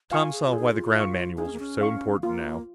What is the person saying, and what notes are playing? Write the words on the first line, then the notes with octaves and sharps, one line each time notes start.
Tom saw why the ground manuals were so important now.
F4 F5 G#5 C#6
G#4
F4
G#4
D#4
F4
F5 C#6
D#4 G#4
C#4
A#3
C#4
F5 C#6
A#3 F4